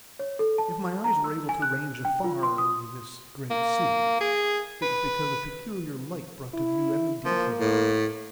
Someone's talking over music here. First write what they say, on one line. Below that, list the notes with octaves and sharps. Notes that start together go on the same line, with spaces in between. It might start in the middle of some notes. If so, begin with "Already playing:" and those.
If my eyes were able to range afar over this great sea, it was because a peculiar light brought to view every detail of it.
C#5
A4
A5
A#5
E6
G#5
F#6
G5
F4
C6
D#6
A#3
G#4
B4
E4
F3 A#3
A2